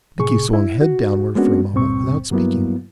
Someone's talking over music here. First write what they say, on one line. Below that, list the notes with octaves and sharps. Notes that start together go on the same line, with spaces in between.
Binkie swung head downward for a moment without speaking.
A2 C3 G#4 C#6
E4
F#4
G#3 A#3 B3 C#4 D4 F#4
C#2 G2 A#2 C4 C#6
G2 F#3 A#3 B3 E4